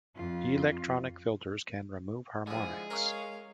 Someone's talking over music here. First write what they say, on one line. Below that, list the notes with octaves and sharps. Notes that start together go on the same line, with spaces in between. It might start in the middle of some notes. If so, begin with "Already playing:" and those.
Electronic filters can remove harmonics.
F2 F4
D3 F3 G#3 E4 G#4
C#4 A#4 C#5 F5